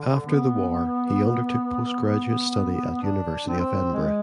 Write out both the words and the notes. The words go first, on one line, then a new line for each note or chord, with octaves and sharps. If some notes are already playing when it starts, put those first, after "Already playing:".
After the War he undertook postgraduate study at University of Edinburgh.
Already playing: D3
B3
D4
C4
G#3